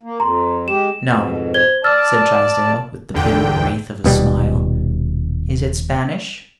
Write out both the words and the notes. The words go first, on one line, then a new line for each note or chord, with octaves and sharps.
"No," said Trysdale, with the bitter wraith of a smile--"Is it Spanish?"
A#3
F2 A#5 C6
G#3 G4 E7
F2 G#2 B2
C5 G#6 G7
D5 A5 E6 F6 A6
A#1 E2 D3 G5
D#1 B2 G3